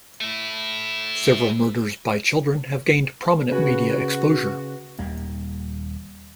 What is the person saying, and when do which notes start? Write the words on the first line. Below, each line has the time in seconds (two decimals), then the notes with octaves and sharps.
Several murders by children have gained prominent media exposure.
0.21 A3 E4
3.51 C#3 F#4 B4
4.99 D#1 D#2 G3 A#3